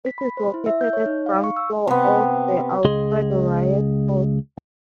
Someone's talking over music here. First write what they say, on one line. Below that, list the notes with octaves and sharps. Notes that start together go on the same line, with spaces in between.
It is located at the Ground Floor of the Alfredo Reyes Hall.
B6
B5
C5
E4
E5
G6
C#5
D#4
F5
C#6
E6
C3 B3
C#2 G#4 D#5 C6